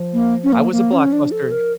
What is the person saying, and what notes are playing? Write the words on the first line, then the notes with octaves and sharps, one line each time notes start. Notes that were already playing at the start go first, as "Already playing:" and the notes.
I was a Blockbuster
Already playing: F3
A#3
C#4
A#3
A#3
C#4
D4
A4
A#4